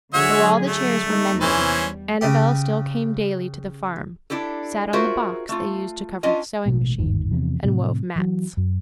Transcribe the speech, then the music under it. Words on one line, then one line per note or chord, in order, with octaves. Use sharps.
Though all the chairs were mended, Annabel still came daily to the farm, sat on the box they used to cover the sewing machine, and wove mats.
D3 F#3 F#4 G#4 C#5 E5
A3
G3 A#3 D#4
E2 C3 E3 C#4 C5
G3
C#3 G4
D4 E4 G4 A4
F4 F#4 G#4 A#4 C5 E5
A3 F4
C#4 D4 F4 D#5
A1 B2 G#3 A3
G1 D#2 G#2 D#3
E2 C3 F3
A2 C3 F3
E3 F#3
F#2